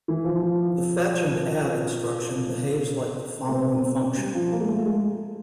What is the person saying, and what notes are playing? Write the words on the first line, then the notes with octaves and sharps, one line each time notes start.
The fetch-and-add instruction behaves like the following function.
E3
F3
F3
B3
B3
C4
C#4
G3
F3
A#3
G#3
A3
G#3